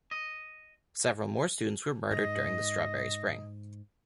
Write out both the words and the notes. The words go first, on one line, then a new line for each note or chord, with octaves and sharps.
Several more students were murdered during the strawberry spring.
D#5
G#2 D#5 A#6